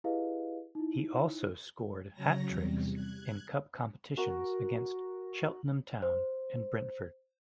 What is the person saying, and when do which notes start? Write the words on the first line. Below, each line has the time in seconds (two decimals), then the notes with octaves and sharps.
He also scored hat-tricks in cup competitions against Cheltenham Town and Brentford.
0.04 E4 G4 G#4 B4 D#5 F5
0.75 D#4 E4
2.13 C#3 F#3 C#5 A#5 A#6
2.48 E2 C3 G3
2.92 F#6 G#6
4.17 F#4 A#4 F#5
6.02 C5